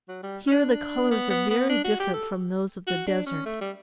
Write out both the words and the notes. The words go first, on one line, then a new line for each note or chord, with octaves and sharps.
Here the colors are very different from those of the desert.
F#3
G3
C#4
D4
B3
B3
B3
D4
F#4
G4
A4
F#4
D4
C#4
A3
G3